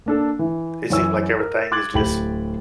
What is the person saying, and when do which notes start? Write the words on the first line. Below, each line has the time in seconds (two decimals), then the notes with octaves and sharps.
it seems like everything is just
0.06 A#3 D4 A4
0.39 E3
0.90 F#2 E3 C#5 E6
1.40 A#4
1.72 C6 D6 F#6 G#6 A6 F#7
1.94 D1 G4 G5 B5 F#7